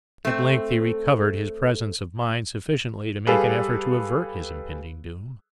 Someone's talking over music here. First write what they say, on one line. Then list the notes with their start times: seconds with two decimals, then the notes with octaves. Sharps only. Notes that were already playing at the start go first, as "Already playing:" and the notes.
At length he recovered his presence of mind sufficiently to make an effort to avert his impending doom.
0.25 A3 C4
3.27 G3 G#4 A4 B4 F5